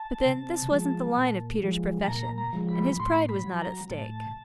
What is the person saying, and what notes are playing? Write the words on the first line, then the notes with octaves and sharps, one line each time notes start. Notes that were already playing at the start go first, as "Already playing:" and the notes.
But then, this wasn't the line of Peter's profession, and his pride was not at stake.
Already playing: A5
C3
F3 G#3
A#2
F3 G#3
A5
A#2 A#5
A#5
F3 G#3
B5
A2 C6
B5
F#3
A#5
A2 A5